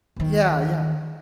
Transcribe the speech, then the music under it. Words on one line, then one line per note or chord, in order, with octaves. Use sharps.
Yeah, yeah.
D#2 D#3